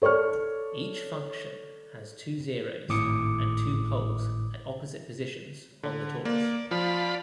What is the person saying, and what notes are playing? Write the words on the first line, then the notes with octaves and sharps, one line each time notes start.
Each function has two zeroes and two poles at opposite positions on the torus.
A4 C#5 D5 C#6 F6
G#1 A2 D6 D#6 C#7
D3
A#3 D5
F3 F4 D5 B5